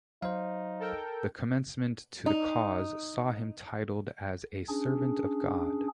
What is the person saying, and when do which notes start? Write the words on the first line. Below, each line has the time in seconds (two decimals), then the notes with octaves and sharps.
The commencement to the cause saw him titled as a Servant of God.
0.22 F#3 D#4 C5 F5
0.79 A4 A#4 G5
2.26 D#4
4.69 C#4 D4 G#4